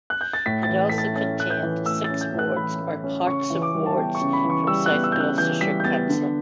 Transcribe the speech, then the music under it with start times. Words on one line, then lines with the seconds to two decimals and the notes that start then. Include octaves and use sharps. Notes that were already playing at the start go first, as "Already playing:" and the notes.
It also contained six wards or parts of wards from South Gloucestershire Council.
0.10 F#6
0.21 G6
0.33 A6
0.46 A2 B6
0.63 A6
0.68 E3
0.89 A3 B6
0.98 A6
1.15 C#4 A6
1.39 A2 F#6
1.50 G6
1.63 E3
1.86 A3 E6
2.04 A6
2.10 C#4
2.21 G6
2.32 A2
2.39 F#6
2.56 E3 B5
2.81 A3
3.04 C#4
3.26 C#3 C#6
3.50 E3
3.62 D6
3.74 G3
3.86 A5
3.97 B3 G5
4.15 C#6
4.21 C#3
4.33 B5
4.44 E3
4.50 C#6
4.67 G3 E6
4.86 F#6
4.91 B3
5.03 E6
5.12 C#3 G6
5.20 F#6
5.38 E3 G6
5.61 G3 B6
5.80 G6
5.85 B3 A6
6.09 D3